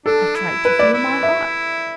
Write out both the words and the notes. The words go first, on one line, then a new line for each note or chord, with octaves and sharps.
I tried to feel my heart.
D4 A4
E4
B4
D5
E4
E5